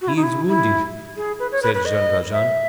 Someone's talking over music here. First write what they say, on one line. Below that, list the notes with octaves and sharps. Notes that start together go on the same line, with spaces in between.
"He is wounded," said Jean Valjean.
F#4
E4
D#4
E4
E4
G#4
B4
C#5
B4
B4
D#5
E5